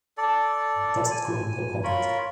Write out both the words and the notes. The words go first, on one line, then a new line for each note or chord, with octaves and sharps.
Dust ground upon it.
A4 D5
G#5
F4 A#4 C#5 B5